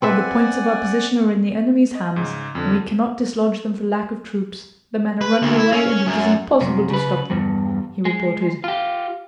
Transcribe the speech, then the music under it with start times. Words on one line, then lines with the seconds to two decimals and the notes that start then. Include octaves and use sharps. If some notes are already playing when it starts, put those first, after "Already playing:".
"All the points of our position are in the enemy's hands and we cannot dislodge them for lack of troops, the men are running away and it is impossible to stop them," he reported.
0.02 C4 B4 D5 E5 F#5 G#5
1.95 D#5
2.16 G#2 C#3
2.55 F2 D3
5.21 B4
5.42 D2
5.57 E4
5.73 C#4
6.07 F#2
6.61 F#2 C3
6.90 C#3 B4
7.30 E2 G2
8.05 G#3
8.64 F4 G4